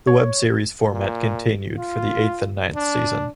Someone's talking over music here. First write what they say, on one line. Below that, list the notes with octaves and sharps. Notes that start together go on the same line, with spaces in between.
The webseries format continued for the eighth and ninth season.
C#5
A#2
F4
D4